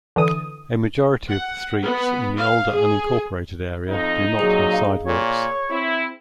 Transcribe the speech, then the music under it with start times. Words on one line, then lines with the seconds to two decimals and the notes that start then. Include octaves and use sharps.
A majority of the streets in the older unincorporated area do not have sidewalks.
0.16 D3 E3 D#6
1.28 F#5
1.82 B3
2.38 F5
2.75 G#4
3.90 F2 D#4
4.39 A#2 F#3 G#4
4.73 F5
5.07 A#2 C#5
5.70 C4 E4